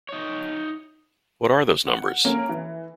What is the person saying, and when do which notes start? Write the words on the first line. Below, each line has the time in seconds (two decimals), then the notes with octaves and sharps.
What are those numbers?
0.09 D#4 C#5
1.87 F#5
2.25 A#3 C#4 A#4
2.49 E3